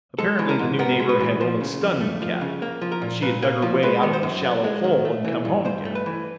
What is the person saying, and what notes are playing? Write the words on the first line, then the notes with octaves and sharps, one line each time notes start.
Apparently the new neighbor had only stunned the cat and she had dug her way out of the shallow hole and come home again.
G#3 A4
E3
A#4
G#2
B3 A#4
G#3
B4
E3
F3 C5
C#3
F2
A3
F3
C#3
A#3
F3
A#4
A#2
A#2 B4
A#3
F3
G#3 B4
D#3
C5
F#2
B3
G#3
D#3
A3
E3
G2
G2 C5
A3
B4
E3